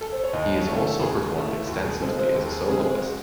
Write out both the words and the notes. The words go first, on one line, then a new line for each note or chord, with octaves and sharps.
He has also performed extensively as a soloist.
A4
C5
C#5
D#2 D#5
C#5
C#3 E3 A3
A4
D#2 G#4
C#3 E3 A3
D#2 F#4
G#4
C#3 G#3 C4 A4
C5
D#2 A4
G#4
C#3 G#3 C4 G#4
G#4
F#4